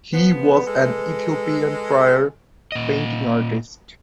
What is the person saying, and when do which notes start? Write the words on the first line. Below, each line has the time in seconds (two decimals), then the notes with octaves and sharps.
He was an Ethiopian prior Painting Artist.
0.13 F3 B3 B4
0.67 G#3 A4
2.72 A#2 D#5